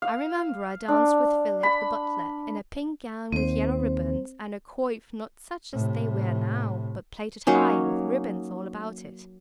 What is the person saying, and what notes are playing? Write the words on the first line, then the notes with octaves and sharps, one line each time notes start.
I remember I danced with Philip, the butler, in a pink gown, with yellow ribbons, and a coif, not such as they wear now, but plaited high, with ribbons all about it.
F5
D4
B5
D#2 C4 C5
A2 C3
F#3 A#3 C#4 D#4